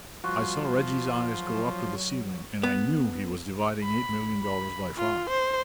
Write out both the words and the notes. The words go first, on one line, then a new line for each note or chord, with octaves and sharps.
I saw Reggie's eyes go up to the ceiling and I knew he was dividing eight million dollars by five.
F3 G3 F#4
F#3
B3
B5
B5
F4
C5